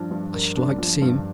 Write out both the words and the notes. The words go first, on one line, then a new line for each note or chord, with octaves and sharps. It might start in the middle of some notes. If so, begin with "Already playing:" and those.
"I should like to see him."
Already playing: G2 F3 D4
G2
A#4
D4
F3
G2